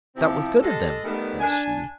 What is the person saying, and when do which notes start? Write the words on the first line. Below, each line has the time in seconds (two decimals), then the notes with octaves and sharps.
'That was good of them,' says she.
0.16 C3 F3 C4 E4 G4
0.60 G#3 G4 A4
1.04 D#3 G3 A3 B3
1.39 D4 G#5